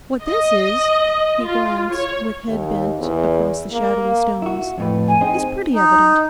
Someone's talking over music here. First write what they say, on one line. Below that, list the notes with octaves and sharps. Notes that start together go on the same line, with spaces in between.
What this is'--he glanced, with head bent, across the shadowy stones, 'is pretty evident.
D#5
F4
C#5
D#2
E2
A#3
E4 F#4
F2 A2 B4
G#5
C4 D#4 G#4
D#4